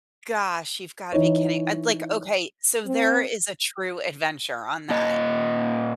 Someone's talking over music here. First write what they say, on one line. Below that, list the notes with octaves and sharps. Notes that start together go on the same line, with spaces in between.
gosh, you've got to be kidding. I'd be like, "Okay, so there is a true adventure on that.
E3 D#4 C#5
C4
A#2 A#3 D#5